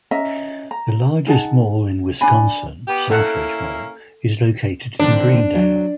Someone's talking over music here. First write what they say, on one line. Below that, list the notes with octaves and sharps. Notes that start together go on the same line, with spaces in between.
The largest mall in Wisconsin, Southridge Mall, is located in Greendale.
C#4 D#5 E5 A#5
A#5
D#4 G#4 F#5 A5
D4 D5 G#5 B5
B3 G4
A#3 C#4 E4 A4 F#5
D3 D#3 C4 D4
F#3